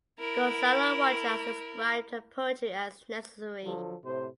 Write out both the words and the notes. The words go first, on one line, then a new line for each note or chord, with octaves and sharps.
Gonzalo Rojas described her poetry as "necessary".
E4 A#4
D3 F3 F#3 A4
A2 C3 C5